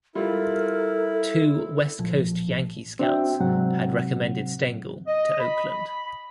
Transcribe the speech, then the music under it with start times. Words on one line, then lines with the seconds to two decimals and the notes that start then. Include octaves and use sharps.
Two West Coast Yankee scouts had recommended Stengel to Oakland.
0.15 G3 E4 F4 A4 A#4
1.98 A1 A#2 F3
2.99 C4 D4 F#4 D5 E5 G5
3.40 G#2 C3 F#3 C4 F#5
5.08 D#5
5.40 B5